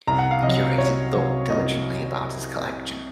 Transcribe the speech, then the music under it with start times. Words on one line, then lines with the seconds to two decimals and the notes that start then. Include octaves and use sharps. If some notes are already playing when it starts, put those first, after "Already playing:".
The curator thought diligently about his collection.
0.07 C2 A#5
0.18 F#5
0.31 F5
0.43 C3 F#3 D#5
0.78 C2 C#5
1.14 C3 F#3
1.49 C2 D#5